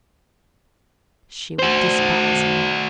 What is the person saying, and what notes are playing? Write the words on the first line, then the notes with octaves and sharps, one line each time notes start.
She would despise him.
F#4 C5